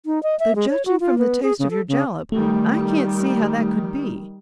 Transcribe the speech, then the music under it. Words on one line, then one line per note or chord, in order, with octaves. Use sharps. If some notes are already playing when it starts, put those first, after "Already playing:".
Though, judging from the taste of your jalap, I can't see how that could be.
D#4
D#5
E5
G#3
C#5
F#4
F4
B3
G#4
C#3
A4
C#3
D#3 G3 A3